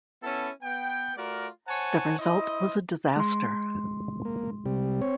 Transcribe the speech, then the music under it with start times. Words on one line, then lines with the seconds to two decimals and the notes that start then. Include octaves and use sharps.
The result was a disaster.
0.23 B3 C#4 E4 A4 A5
0.63 B3 G5
1.17 A3 F4 F#4 A#4 D5
1.68 C5 C#5 F#5 G#5 A5
2.19 E4 C5 D#5
3.16 G#3 C6
4.25 A#3
4.65 C3 G3
5.02 C4 C#5